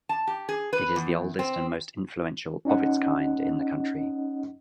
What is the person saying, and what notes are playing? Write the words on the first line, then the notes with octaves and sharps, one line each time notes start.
It is the oldest and most influential of its kind in the country.
A5
G4
G#4
B4
E2
C4
C#4 D#4 D#5 F#5